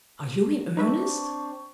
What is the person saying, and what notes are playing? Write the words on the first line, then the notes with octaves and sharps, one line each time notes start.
"Are you in earnest?"
C4 D4 D#4 B4 E5 C#6